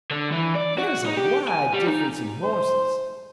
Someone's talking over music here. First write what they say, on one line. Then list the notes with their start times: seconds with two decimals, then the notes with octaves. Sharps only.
There is a wide difference in horses.
0.11 D3
0.32 E3
0.56 D5
0.78 F#4
1.06 D#4
1.17 G4
1.48 G#5
1.73 G3
1.87 D#4
2.44 C5